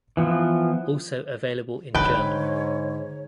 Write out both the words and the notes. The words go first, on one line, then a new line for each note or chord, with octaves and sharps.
Also available in German.
E3 F3 B3
G#2 D3 B4 C#5 G5